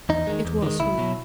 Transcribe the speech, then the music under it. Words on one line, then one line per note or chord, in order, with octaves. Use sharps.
It was he.
E2 D#4
D#3 G#3
E2
D#3 G#3
C#2 E4
B2 F#3